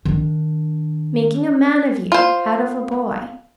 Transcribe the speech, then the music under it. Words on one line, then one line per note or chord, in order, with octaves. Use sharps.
Making a man of you, out of a boy.
D#3 D4
F4 C5